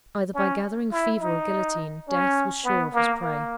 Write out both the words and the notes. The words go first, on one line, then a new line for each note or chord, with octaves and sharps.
Either by gathering fever or guillotine, death was sure of his prey.
C#4
E4
D#4
C#4
B3
A#3
A#3